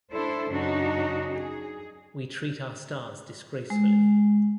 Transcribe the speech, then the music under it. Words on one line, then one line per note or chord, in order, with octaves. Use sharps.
We treat our stars disgracefully.
D4 E4 A4 C5
F#2 C#3 D4 D#4 F#4
G#4
G#3